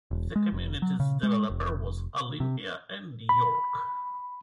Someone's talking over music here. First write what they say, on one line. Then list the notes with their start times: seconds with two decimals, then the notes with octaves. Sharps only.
The community's developer was Olympia and York.
0.11 E1
0.36 G#3
0.52 F1
0.82 F#3
1.00 C#3
1.23 G#3
1.50 F1
2.40 C3
3.29 B5